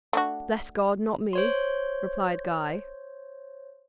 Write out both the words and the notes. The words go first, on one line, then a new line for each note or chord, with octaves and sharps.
"Bless God, not me," replied Guy.
A3 D4 F#4
C5 C#5 C6